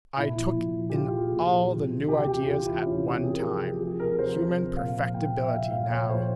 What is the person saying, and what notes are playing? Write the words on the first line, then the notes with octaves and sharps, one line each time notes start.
I took in all the new ideas at one time--human perfectibility, now.
A#2 E4
F3
A#2
F3
G4
A#2 F4
F3 G#4
A#2
F3
C3
E3
C3 G4
E3 G4
C3 F4
E3 E4
C3 C#4
C4
E3
G4
C3 G#4
A#4
F3 G4
F4
C3 G4
F3 G#4
C3 A#4
F3 C5
C3
F3
A#2 F5
F3
A#2 G5
F3
E5
A#2 F5
F3 F5
A#2 C#5
F3 C5